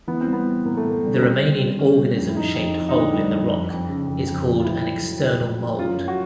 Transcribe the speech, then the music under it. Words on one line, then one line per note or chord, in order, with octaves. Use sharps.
The remaining organism-shaped hole in the rock is called an "external mold".
E3 B3
C4
G3
B3
E3
A2 A#3
A3
A2
A#3
G3 D4
C#4
G3 C4
D3
G3
G3 C#4
G3
F2
E4
F2 D#4
F2
D#4
F2
D#4
D3 D4
G3
F2
F2
F2
C#3
F2
F2
F2
F4
A2 E4
F#3
F#3
F#3
A2
F#3
F#2 F4
F#2
F#4